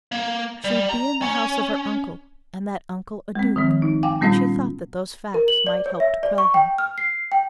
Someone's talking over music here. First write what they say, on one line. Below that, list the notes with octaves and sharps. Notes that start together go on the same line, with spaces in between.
She would be in the house of her uncle and that uncle a duke, and she thought that those facts might help to quell him.
A#3
G3
A#5
C#4
G#3 C4
D#3 F3 C4
D#4
F5 G5 G#5 D6
A#2 G3 B3 C#4 F4
A#4
F#7
D5
C#5
E5
D5
C#6
G5
F6
C7
G5